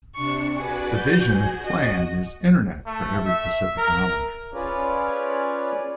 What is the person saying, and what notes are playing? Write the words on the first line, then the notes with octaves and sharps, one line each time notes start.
The vision of the plan is Internet for Every Pacific Islander.
C3 D4 C#6
F#4 G#4 B4 D5
F#4 G6
G#4
D#5
A3
E5
A#4
C#4 F4 G#4 B4 C#5 D5